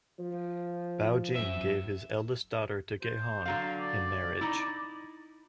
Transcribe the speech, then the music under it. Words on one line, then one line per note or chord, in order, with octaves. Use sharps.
Bao Jing gave his eldest daughter to Ge Hong in marriage.
F3
F#2 E5
C5
D3 F#3 F5
D5
D#4 E4